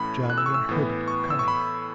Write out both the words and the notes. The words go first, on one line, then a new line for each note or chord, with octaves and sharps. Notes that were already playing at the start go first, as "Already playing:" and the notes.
Johnny and Herbert are coming.
Already playing: A2 E3 A3 C#4 B5
F#6
E6
C#6
E6
A2 E3 B3
C#6
E6
C#6
B5